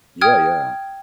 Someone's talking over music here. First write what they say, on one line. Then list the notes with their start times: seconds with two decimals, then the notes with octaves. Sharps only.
Yeah, yeah.
0.21 G5 D#6 F6 G#6